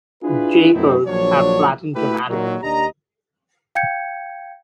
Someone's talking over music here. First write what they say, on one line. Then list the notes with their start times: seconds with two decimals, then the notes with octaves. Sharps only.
J curves have flattened dramatically.
0.24 D4 E4 F4 G#4 B4
0.73 F#2 B2 A3 C4 D#4 E4
1.07 A#1 F3 F#3 D4 C#5
1.95 A3 E4 F#4 G4 A4 B4
2.27 A#2 D#3 F#3
2.62 D#2 D4 G4 D#5 A#5
3.75 F5 G5 G6 G#6 C#7